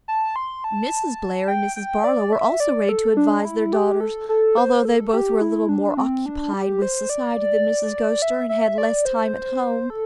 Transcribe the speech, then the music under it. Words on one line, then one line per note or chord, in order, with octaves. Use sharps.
Mrs. Blair and Mrs. Barlow were also ready to advise their daughters, although they both were a little more occupied with society than Mrs. Gostar and had less time at home.
A5
C6
A5
G5
G5
D5
E5
D5
A4
D4
E4
G4
A4
A4
C5
A4
G4
E4
D4
C4
D4
G4
C5
D5
E5
E5
D5
C5
A4